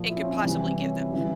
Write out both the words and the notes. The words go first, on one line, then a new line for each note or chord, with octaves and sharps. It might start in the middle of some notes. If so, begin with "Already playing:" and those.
and could possibly give them.
Already playing: A#2 F3
E4
C#4
C4
C#4
C3 E3 G3 C4
C4
C#4
E4
C#3 E3 G3